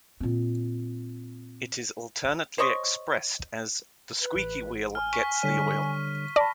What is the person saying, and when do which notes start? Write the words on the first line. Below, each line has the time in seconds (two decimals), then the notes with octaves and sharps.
It is alternately expressed as "The squeaky wheel gets the oil".
0.20 A#2 C4
2.58 C5 C#5 D#5 C#6
4.21 B4
4.35 A1
4.95 G#5 F6
5.13 C#6 B6
5.43 D3 G3 C#5 B6 D#7
6.36 D5 A5 B5 A#6